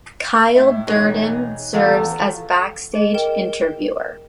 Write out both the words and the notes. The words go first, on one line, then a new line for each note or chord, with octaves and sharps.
Kyle Durden serves as backstage interviewer.
A2 E5
E1 D#4 G#4 C#5 F#6
E2 A3 F4 A4
G#4 D#5
A#4 G5 E7